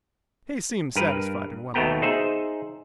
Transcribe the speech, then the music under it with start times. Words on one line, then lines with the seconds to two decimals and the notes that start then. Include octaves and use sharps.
He seemed satisfied, and went on.
0.96 G2 A#4 B4
1.74 D#2 B2 A3 B3 G5 A#5
2.02 D#4 G#4 C5 E5